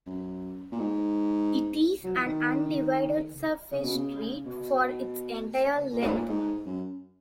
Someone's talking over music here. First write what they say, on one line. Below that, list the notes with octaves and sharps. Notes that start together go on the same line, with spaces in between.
It is an undivided surface street for its entire length.
F#2
A#2
G#2
F#3
E3
D#3
C#3
B2
C#3
B2
A#2
G#2
A#2
G#2
F#2